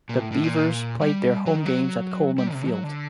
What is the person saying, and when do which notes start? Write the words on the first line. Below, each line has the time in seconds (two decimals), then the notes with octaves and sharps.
The Beavers played their home games at Coleman Field.
0.09 A#2
0.21 A2
0.32 A2
0.44 A#2
1.01 G3
1.46 F#3
1.56 D#3
1.65 F#3
2.38 G3
2.53 C3
2.68 F#3
2.84 D3